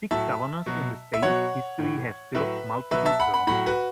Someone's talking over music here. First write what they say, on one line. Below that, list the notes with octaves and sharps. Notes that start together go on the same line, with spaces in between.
Six governors in the state's history have served multiple terms.
A2 F#3 E5 A5
B2 F#3
E5
B2 F#3 C#5 F#5
A2 E3
A2 F#3 B4 E5
B2 F#3 B4 E5
E5 A5
F#5 B5
F#5 B5
A2 F#3 F#5 B5
F#4 B4